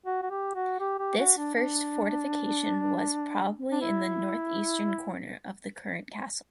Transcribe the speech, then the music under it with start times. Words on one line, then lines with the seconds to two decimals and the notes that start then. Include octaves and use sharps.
This first fortification was probably in the northeastern corner of the current castle.
0.06 F#4
0.22 F#4
0.30 G4
0.55 F#4
0.80 G4
0.99 G4
1.17 F#4
1.37 D4
1.55 D4
3.72 D4
3.81 E4